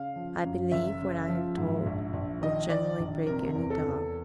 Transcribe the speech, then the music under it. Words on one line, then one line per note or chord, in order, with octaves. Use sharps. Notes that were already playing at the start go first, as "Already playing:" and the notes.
I believe what I have told will generally break any dog.
Already playing: C#3 F5
F3
F#2
F#1 E5
C#3
F3
G#2
A#1
A#1
D#3 D#5
D#3 D5
A#1
C3 A#4
E2
A4
E2